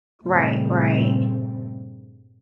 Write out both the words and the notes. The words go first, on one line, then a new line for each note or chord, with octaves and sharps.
Right, right,
G2 A#2 C#3 G3 A3 C4